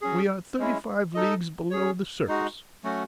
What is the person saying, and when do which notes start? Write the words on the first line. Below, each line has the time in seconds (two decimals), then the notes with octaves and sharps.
"We are thirty-five leagues below the surface."
0.02 F#3 C#4 G#4
0.58 G#3 C#4 E4
1.15 D#4 A4 D#5
1.71 C#4 G#4 C#5
2.27 G#3 D#4 F#4
2.84 F#3 A3 C#4 F#4